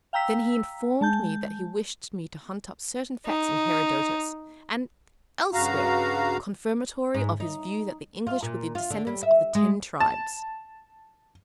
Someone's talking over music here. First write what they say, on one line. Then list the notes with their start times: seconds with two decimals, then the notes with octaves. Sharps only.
Then he informed me that he wished me to hunt up certain facts in Herodotus "and elsewhere" confirmatory of his view that the English were the descendants of the Ten Tribes.
0.13 F5 G5 A#5 E6 B6
1.01 G#3 A5 G6
3.26 D#4
5.53 G2 C#3 F#4 F5 A#5
7.14 G#2
7.40 D#4
8.27 F4
8.43 A#2
8.75 F4
8.90 D3
9.07 G3
9.23 E5
9.55 G#3
10.00 A5